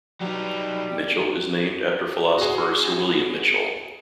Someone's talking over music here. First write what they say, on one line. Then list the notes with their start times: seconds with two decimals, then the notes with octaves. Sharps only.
Mitchell is named after philosopher Sir William Mitchell.
0.21 F#3 G3 D#4
2.37 F#4 G#4